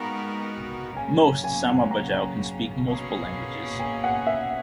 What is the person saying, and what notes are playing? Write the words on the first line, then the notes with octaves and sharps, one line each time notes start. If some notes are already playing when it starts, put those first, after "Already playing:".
Most Sama-Bajau can speak multiple languages.
Already playing: G#3 B3 D#4 F#4 A#4 A#5 B5
C#3 F#3 A#3 C#4 G#5
G#5
F#5
G#5
A#5
B2 A#3 C#4 G#4
G#5
F#5
E5